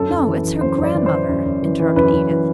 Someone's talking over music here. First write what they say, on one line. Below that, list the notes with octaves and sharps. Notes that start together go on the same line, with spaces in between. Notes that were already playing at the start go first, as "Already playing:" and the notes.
"No, it's her grandmother," interrupted Edith.
Already playing: F#2 A4
F#2
E3
E3
F#2 C5
F#2
D5
E3
C5
E3
F#2
F#2
E3
E3
F#2 B4
F#2
E3